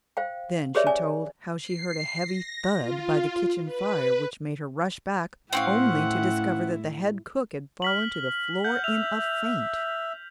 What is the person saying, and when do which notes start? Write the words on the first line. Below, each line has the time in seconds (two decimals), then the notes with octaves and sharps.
Then she told how she heard a heavy thud by the kitchen fire, which made her rush back, only to discover that the head cook had fallen to the floor in a faint!
0.17 C5 F5 G5
0.75 G4 G#4 B4 C#5 D5 E5
0.86 C#4 D5 G#5
1.56 C7
2.22 A#6
2.74 F4
3.64 B4
5.53 A2 C4 C#4 E4 F5 F#5
7.82 F6 B6 F#7
8.64 F#5 G6
8.84 E5 F7